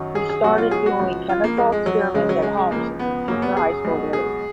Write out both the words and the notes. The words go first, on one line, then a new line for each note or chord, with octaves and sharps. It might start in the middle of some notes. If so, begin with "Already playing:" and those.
He started doing chemical experiments at home since his junior high school days.
Already playing: F#2 D#3 F#3
G#4
G#4
C#2 B2 F#3 F#4
F4
G#4
F#4
C#2 C#3 F3
F4
A#3
F2 F3 G#3
G#3
F#3
C#2 C#3 F#3 G#3
F#3
G#3
G#3
C#2 C#3 F3 A#3
B3
F#2 C#3 F#3 A#3
B3
G#4
C#2 B2 F#3
G#4